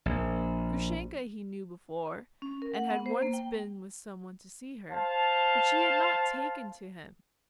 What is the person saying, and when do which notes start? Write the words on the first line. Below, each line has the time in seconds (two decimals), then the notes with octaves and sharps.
Grushenka he knew before, and had once been with some one to see her; but she had not taken to him.
0.06 A#1
2.42 C#4
2.62 A#4
2.74 F#5
2.90 B3
3.06 C5
3.22 A#3
3.33 G5
4.90 C5 F5 A5